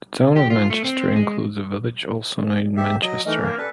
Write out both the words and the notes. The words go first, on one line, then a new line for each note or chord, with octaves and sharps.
The Town of Manchester includes a village also named Manchester.
G4
F4
A3
C4
G#3
G#2 G4 E5
F#3 D#5
E3 A3 D#4 A#4
A#3
G3 C#4 A4 B4